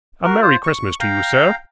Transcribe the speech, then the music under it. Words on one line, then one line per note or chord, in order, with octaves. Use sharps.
A merry Christmas to you, sir!'
F#4 A#4
F4 C5
C#6
F5 G5 A#5